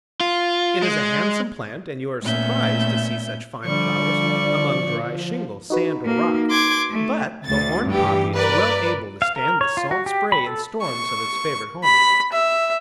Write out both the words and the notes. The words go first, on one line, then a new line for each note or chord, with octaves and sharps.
It is a handsome plant, and you are surprised to see such fine flowers among dry shingle, sand, or rock; but the Horned Poppy is well able to stand the salt spray and storms of its favourite home.
F4
G#3
A#2 A3 B3 C#4 E5 G6
D3 F3 G3 D5 C#6
D#4 F#4 B4
A#3
C6 D6 G#6
A3
D2 A6
G2 E3 G4
A#4 B4 D5
F5
A#4
C#5
F4
F#4
G4
B5
A4
C#6
B5
E5